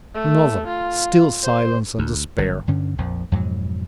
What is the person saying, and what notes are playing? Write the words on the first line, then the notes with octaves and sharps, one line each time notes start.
Another--still silence and despair!....
A3
F4
C5
D2
G1 F#2
G2 D3 C#4
A#1 F2 F3
F2 G#2 B2 F#3